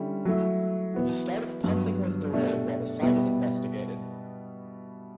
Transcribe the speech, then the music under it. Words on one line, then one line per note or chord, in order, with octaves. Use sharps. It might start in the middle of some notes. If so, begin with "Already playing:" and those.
The start of pumping was delayed while the site was investigated.
Already playing: D3 G3 C#4 E4
F#3 A3 E4
E3 B3 F#4
G2 F#3 B3
B2 A3 D4 G4
B2 G3 B3 E4